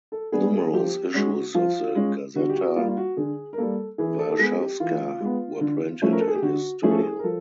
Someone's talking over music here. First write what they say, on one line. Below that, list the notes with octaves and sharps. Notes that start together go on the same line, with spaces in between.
Numerous issues of the "Gazeta Warszawska" were printed in his studio.
A4
G3 B3 D4 G#4
G#4
F3 G4
G#3 C#4 F#4
F3 F4
G#3 C#4
D3 F#4
G4
F#4
G3 A#3 F4
F4
F#4
D3 G#4
A#4
G3 A#3 A4
E3 G#4
A4
A4
G#3 B3 G#4
G4
E3 F4
G#3 B3
D3
F3 A3 C#4
A#4
A4
G#4
G4
D3 F#4
F3 A3 C#4 G#4
A4
G#4
A#4
F3 A4